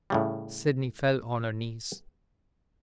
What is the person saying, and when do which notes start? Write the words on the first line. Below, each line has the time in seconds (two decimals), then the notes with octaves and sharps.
Sydney fell on her knees.
0.10 A2 C#3 G3